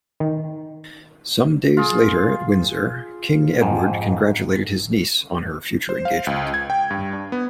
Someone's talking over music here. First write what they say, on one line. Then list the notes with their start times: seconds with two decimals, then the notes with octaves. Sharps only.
Some days later at Windsor, King Edward congratulated his niece on her future engagement.
0.20 D#3
1.77 F4 G#4
3.62 F2 G#2
5.89 C5
6.05 F5
6.27 C#2
6.54 G#6
6.70 G5
6.90 G2
7.13 D4
7.32 B3